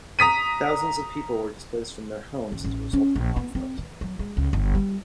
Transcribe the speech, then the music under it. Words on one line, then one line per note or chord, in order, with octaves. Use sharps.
Thousands of people were displaced from their homes as a result of the conflict.
A#5 D#6 B6 D#7
F#1
A1
C#4
A#1
B3
C4
E3
F#3
G#3
C#2
G1
G3